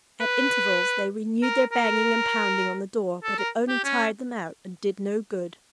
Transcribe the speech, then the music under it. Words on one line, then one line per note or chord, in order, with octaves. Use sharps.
At intervals they renewed their banging and pounding on the door, but it only tired them out, and did no good.
B4
A#4
A#4
A4
A#4
G4
C#4